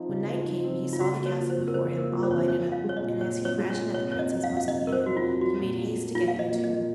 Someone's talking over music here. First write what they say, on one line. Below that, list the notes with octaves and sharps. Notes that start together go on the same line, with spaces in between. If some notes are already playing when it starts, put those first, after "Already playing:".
When night came he saw the castle before him all lighted up, and as he imagined that the Princess must be in it, he made haste to get there too.
Already playing: F3 C4 D#4
C#3
F3
D#4
C4
C#3
F4
C#3 F#4
A#3
C#5
F3
C5
F2
A#4
C#3 C5
A#3
A#4
F3
C5
F2 C#5
C5
F3 C#5
C4
F5
G#3
C#5
D#5
A#2
F3 C#5
C4
C#5
G#3
C#5
A#2
C3 C#5
F2 C#5
D#5
F#3
F5
F2
F5
C3 D#5
F2 A#4
C5
F#3 F#4
F4
F2
F#3 F#4
A#2
A#3
A#2
F#3 F4
F5
A#2
D#5
A#3
D#5
A#2